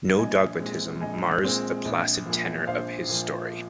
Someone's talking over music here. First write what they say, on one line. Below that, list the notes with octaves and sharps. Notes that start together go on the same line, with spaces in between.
No dogmatism mars the placid tenor of his story.
A#1 D#5 G#5
A#2 G#3 C4
A#1 D#5 G#5
A#2 G#3 C4
A#1
A#2 F3
A#1 C5 F5
A#2 F3